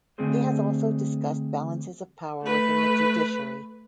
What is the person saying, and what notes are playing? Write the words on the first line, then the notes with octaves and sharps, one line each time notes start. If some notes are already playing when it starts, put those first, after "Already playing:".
He has also discussed balances of power within the judiciary.
D3 A3 C4 D4 G#4 C5
A3 B4